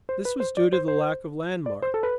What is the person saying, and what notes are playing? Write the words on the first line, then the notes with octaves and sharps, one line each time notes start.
This was due to the lack of landmarks.
C5
B4
C5
D5
C5
C5
D5
C5
A4
B4